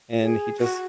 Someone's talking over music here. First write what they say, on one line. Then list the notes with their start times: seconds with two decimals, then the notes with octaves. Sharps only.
and he just
0.20 G#4
0.60 F#4